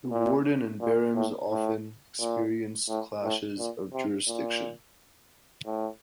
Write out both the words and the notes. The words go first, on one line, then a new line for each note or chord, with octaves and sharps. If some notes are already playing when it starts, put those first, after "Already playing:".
The warden and barons often experienced clashes of jurisdiction.
A#2
A#2
A2
A2
A#2
A2
A2
A#2
C3
A#2
A2